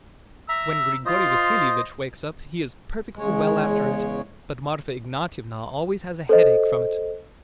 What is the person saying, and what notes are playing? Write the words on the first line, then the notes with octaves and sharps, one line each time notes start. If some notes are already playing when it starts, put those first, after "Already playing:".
And when Grigory Vassilyevitch wakes up he is perfectly well after it, but Marfa Ignatyevna always has a headache from it.
E5 A#5 E6
F4 C5 D#5
E2 C#3 G#3 C#5
A4 C5 D#5